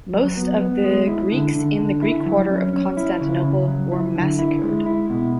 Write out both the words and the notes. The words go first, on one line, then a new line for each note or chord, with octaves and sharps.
Most of the Greeks in the Greek quarter of Constantinople were massacred.
F#3
B3
B3
G#3
E4
D3
D3
D3
E4
F#3
C#4
C#4
E4
C#3
C#3
F#3
E4
D3
E4
G#3
E4
B2